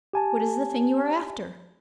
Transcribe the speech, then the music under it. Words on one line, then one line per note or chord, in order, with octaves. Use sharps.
What is the thing you are after?
G4 G#5 A5